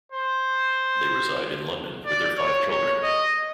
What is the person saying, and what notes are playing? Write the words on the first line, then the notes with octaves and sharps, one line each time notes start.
They reside in London with their five children.
C5
D5
C#5
C#5
D#5